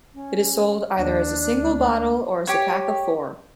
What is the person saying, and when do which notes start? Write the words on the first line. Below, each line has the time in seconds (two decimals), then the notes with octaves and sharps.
It is sold either as a single bottle or as a pack of four.
0.14 C#4
0.98 D#2 D4
1.59 D2
2.47 G4 C#5